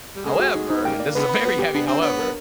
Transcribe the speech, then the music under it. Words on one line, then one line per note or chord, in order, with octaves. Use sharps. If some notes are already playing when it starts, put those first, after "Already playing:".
however, and this is a very heavy however,
G3
C#3 G#3 A4
F#4
D#4
B3 D#4
C#3 G3 A#3 G5
D5
D3 G#3 B3 B4
B5
B4
G4
B3 D4
C4 D4
B3 C#5
A#4